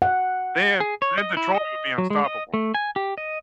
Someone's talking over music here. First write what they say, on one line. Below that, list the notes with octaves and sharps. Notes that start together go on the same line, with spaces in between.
then then Detroit would be unstoppable.
F#5
G#4
C#5
D#5
E4
D#5
F#3
G#3
D#5
A3
G#5
G4
D#5